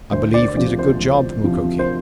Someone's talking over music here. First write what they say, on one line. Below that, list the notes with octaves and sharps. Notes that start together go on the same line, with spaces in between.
"I believe we did a good job, Mukoki!"
D2 C5
D5
C3 F3 D5
C5
D2
C3 F3
C5